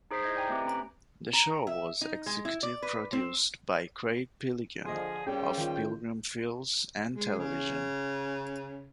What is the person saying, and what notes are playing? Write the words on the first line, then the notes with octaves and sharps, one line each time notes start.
The show was executive produced by Craig Piligian of Pilgrim Films and Television.
D#4 G#4 C5 B6 C7
E4 D#5 G6 G#6
D5 G5 G#5 A#5
A3 C4 G4 B4
C4 C#4 G#5 A#5 B5 D7
A#5
E5
D#4
G#3
E4
D5
B4
C4
D3 F3 G#4 D#5 C6
D#2 F3 G3 C#4 G#4 G5
D#3 F4
G#3
C#3